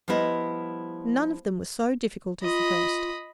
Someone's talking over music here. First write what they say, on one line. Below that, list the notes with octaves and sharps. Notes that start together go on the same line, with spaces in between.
None of them was so difficult as the first.
F3 G3 B3 E4 D#5
F4 D#5 B5